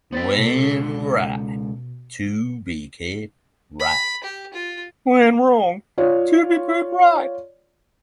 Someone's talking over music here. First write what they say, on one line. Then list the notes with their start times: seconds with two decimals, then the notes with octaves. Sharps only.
When right, to be kept right; when wrong, to be put right.
0.12 B3 C5 G5 A6 B6
0.37 C#2 B2 A4
3.80 B5
4.24 G4
4.54 F4
5.98 F4 C#5 D5